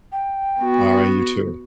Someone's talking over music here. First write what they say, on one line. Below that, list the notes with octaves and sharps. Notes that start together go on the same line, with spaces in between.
Alright, you, too.
G5
B3 F#4